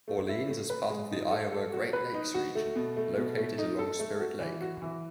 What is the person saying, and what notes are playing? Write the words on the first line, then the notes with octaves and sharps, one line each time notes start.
Orleans is part of the Iowa Great Lakes region, located along Spirit Lake.
A3
E4
A3
B4
G#3
D#4
A4
A4
F#4
B4
D#4
F#4
A3
B2
A3
B2
A3
D#4
A4
A3
F#4
E3
F#4
E3